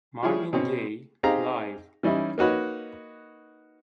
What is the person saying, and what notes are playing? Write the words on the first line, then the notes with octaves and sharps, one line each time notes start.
Marvin Gaye Live!
F3 G3 E4 F4 G#4 C#5
B2 C4 C#4
C4 D#4 G4 G#4 F5 A#5
E3 G3 C#4 D#4 E4
A#3 D#4 F#4 B4 C#5